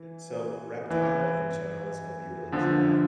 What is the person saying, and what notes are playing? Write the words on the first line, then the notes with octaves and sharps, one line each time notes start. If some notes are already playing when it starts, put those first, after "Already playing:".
So, reptile in general is gonna be really dry,
Already playing: E3
E3
D3 F3